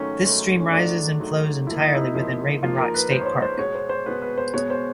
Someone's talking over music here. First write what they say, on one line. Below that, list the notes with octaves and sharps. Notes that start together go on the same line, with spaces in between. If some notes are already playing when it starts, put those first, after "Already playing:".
This stream rises and flows entirely within Raven Rock State Park.
Already playing: G#2 D#3 F#3 A3 C#4
G#2 D#3 F#3 A3
C#4
G#2 D#3 F#3 A3 D4
G#2 D#3 F#3 A3
G#2 F3 A#3 E4
D#4
E4
G#2 F3 A#3 E4
G#2 F3 A#3 F4
A#4
B4
G#2 F3 A#3 C5
C#5
C5
C5
B2 G#3 B3 C#5
C5
C5
B2 G#3 B3 B4
B4
C5
B2 G#3 B3 C#5
C5